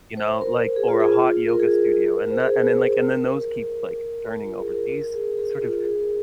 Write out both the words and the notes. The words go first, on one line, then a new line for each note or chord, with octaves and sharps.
you know, like or a hot yoga studio. And that and then, like and then those keep, like, turning over. These sort of
C5
A#4
A#4
G#4
F4
G#4
F4
A#4
G#4
A#4
C5
G#4
A#4
F4
G#4
A#4
A#4
G#4
G#4
G#4
F4
G#4
A#4